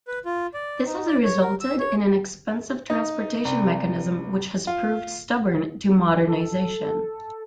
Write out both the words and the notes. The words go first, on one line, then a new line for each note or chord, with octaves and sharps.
This has resulted in an expensive transportation mechanism which has proved stubborn to modernisation.
B4
F4
D5
D#4
D5
C#5
A#4
E6
C#5
D#4
C2
F4
A4